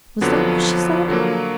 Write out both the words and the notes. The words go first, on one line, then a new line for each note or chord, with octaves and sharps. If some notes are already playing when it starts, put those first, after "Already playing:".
Was that what she said?
F2 D3 F3 F#3 B3 D4
D3 F#3 A#3